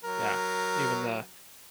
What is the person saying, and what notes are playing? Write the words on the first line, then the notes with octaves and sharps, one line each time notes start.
yeah, even the,
F#3 A#4